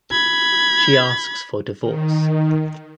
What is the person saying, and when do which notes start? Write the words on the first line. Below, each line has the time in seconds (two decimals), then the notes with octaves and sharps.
She asks for divorce.
0.12 B5 G#6
1.81 D#3